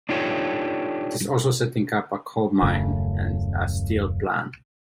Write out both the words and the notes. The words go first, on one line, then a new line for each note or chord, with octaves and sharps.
It is also setting up a coal mine and a steel plan.
D4 D#4 F4 G4 A4 C#5
D#1 F#2 C#3 A3